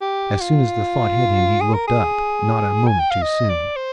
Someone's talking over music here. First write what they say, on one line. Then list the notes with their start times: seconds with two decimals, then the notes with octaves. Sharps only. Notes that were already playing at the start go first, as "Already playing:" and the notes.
As soon as the thought hit him he looked up--not a moment too soon.
0.01 G4
0.40 F4
1.61 G#4
1.74 A#4
1.87 G#4
2.88 G#5
2.99 G5
3.10 F5
3.22 D#5
3.49 D5
3.76 C5